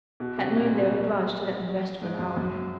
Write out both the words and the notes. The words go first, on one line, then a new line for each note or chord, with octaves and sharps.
At noon they were obliged to let them rest for an hour.
B2
C3
A#2
B2
G#2
F#2
F#2